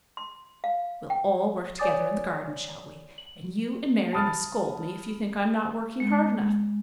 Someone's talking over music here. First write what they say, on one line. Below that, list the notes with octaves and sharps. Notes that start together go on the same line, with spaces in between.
We'll all work together in the garden, shall we, and you and Mary must scold me if you think I'm not working hard enough.
C6
F5
G5
C#5 D5 G#5 D6 D#6 A6
F#7
A5 B5 D#6 F6 A6
G#3